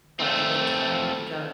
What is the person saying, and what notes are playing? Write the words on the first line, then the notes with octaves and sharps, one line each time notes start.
but at the time it got
A3 C4